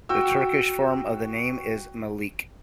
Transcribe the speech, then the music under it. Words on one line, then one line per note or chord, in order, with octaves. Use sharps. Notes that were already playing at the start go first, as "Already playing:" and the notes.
The Turkish form of the name is Melek.
F#4 G5 E6